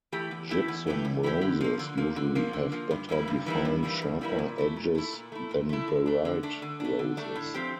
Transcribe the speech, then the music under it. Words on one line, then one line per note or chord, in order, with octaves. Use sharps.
Gypsum roses usually have better defined, sharper edges than baryte roses.
E3 A3 E4 G4
E2
E3 A3 E4 G4
E2
E3 A3 E4 G4
E2
E3 A3 E4 G4
D3
F3 A#3
D3
F3 A#3
D3
F3 A#3
D3
F3 A#3
G2
E3 G3 A#3 E4
G2
E3 G3 A#3 E4
G2
E3 G3 A#3 E4
G2
E3 G3 A#3 E4
A#2
A3 E4
A#2
A3 E4
A#2
A3 E4
A#2
A3 E4
D3
A3 D4
D3
A3 D4
D3
A3 D4
D3
A3 D4
A2
F3 C4 G4